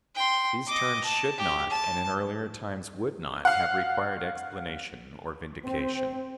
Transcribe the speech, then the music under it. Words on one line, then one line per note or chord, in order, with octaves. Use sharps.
These terms should not, and in earlier times would not, have required explanation or vindication.
G5 C6
D#5 D6
A5
G4
A5
F5 F#5
C4